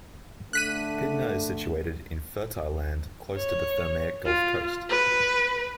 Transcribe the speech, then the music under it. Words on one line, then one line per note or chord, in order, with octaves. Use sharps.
Pydna is situated in fertile land close to the Thermaic Gulf coast.
D3 A3 F#6 B6 D#7
C#5
F4
B4